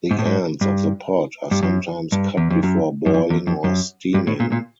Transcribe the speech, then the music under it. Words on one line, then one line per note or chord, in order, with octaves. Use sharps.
The ends of the pod are sometimes cut before boiling or steaming.
G#2
A2
G#2
G2
G2
F#2
G2
E2
F2
F#2
F#2
F2
E2
F2
F#2
G2
A2
A#2
A#2